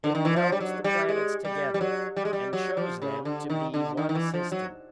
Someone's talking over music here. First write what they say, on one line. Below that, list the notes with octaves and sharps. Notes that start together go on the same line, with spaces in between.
It welds the planets together, and shows them to be one system.
D3
D#3
E3
F3
G3
F#3
G3
G#3
G3
G3
F#3
G3
G#3
G3
F#3
F3
C#3
D3
D#3
D3
D#3
D#3
E3
F3
F#3